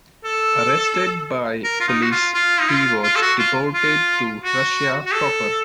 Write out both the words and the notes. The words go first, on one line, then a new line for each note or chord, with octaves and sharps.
Arrested by police, he was deported to Russia proper.
A4
A#4
F4
D#4
F#4
F4
F4
D#4
F4
F4
A4
F#4
F4
F4
F#4
F#4
A4